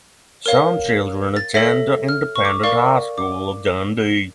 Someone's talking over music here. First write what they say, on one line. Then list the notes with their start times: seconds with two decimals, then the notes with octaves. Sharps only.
Some children attend the independent High School of Dundee.
0.46 A#4 C#5 F5
1.36 A6
1.54 A4 C#5 E5 A#6
2.09 F6
2.36 C#6
2.45 D6
2.63 A#4 D5 F5 C#6
3.18 D6